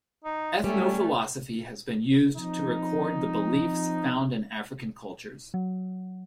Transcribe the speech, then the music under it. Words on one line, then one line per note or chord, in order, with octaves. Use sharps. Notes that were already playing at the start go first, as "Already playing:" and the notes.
Ethnophilosophy has been used to record the beliefs found in African cultures.
D#4
G3 A3 C#4
F3 C4 D#4
F#3